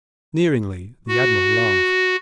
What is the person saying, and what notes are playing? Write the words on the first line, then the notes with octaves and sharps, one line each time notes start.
Sneeringly the Admiral laughed.
F#4